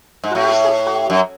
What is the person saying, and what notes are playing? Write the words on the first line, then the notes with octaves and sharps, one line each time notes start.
Where's the Pope?
G#2
A2
F#2